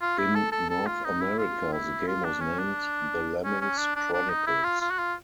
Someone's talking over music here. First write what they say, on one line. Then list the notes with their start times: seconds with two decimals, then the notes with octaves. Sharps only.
In North America, the game was named The Lemmings Chronicles.
0.01 F4
0.18 E4
0.35 A4
0.52 A4
0.69 A4
0.86 F4
1.04 D#4
1.21 E4
1.38 F4
1.72 E4
2.07 F4
2.24 D4
2.41 C#4
2.59 D4
3.44 C#4
3.61 C#4
3.78 D4
3.96 D4
4.13 D4
4.30 D#4
4.47 E4
4.64 F4
4.81 F4
4.90 F#4
4.99 F4